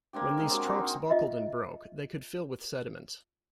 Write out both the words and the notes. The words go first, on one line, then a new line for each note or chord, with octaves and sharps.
When these trunks buckled and broke, they could fill with sediment.
A#3 C4 D4 G4
G#3 A#4
F#3 C4 G4 G#4
C4 F#4 G#4
D#4 G5
F4 D#5 E5